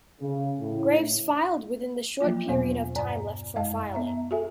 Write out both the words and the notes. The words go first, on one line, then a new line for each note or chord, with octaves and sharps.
Graves filed within the short period of time left for filing.
C#3
A2
F3 F#3 A#3 F4
E2 B2 B3 C5 G#5
G2 D5 A#5
F#2 G#3 D#5 F5 A5
B3 E5 A#5
F#4 G#4 A4 E5 G#5